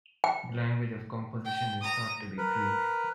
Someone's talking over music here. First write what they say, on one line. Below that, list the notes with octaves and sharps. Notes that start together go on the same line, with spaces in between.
The language of composition is thought to be Greek.
G5
G5
A#5 D#6
A#4 B4